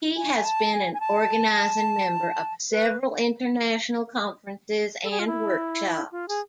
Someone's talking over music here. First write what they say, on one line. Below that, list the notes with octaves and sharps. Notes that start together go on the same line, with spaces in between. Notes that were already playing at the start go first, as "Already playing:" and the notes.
He has been an organizing member of several international conferences and workshops.
G#5
G#5
A5
G#5
G#5
A5
B4
A4
G#4
F4
E4
F4
G#4